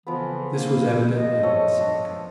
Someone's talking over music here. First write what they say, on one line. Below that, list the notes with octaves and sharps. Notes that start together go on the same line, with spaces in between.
This was evidently the basilica.
F2 C#3 E3 F3 B3
A#3
D#5
F3 A4 C#5
D4